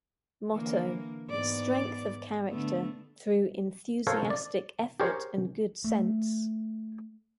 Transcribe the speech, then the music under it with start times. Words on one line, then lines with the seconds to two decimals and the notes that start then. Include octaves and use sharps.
Motto: "Strength of Character Through Enthusiastic Effort and Good Sense".
0.52 D3 E3 A#3
1.30 G#2 B3 D5
2.47 D3 A3 B3
4.07 A4 A#4 C5 C#5 F5 A5
4.30 D5
5.00 G4 G#4 A#4 C5 C#5
5.84 A3